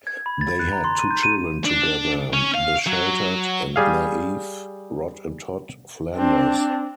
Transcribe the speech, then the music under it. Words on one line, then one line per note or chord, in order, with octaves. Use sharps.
They had two children together; the sheltered and naive Rod and Todd Flanders.
G#6
B5
A6
F#6
A#5
C6
D#7
G6
D#7
D4
C#4
F5
F#3
G3 G#4 F5
C4 D4